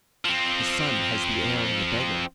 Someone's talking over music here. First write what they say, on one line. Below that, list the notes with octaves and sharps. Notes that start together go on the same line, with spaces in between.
The sun has the air of a beggar.
F3 C4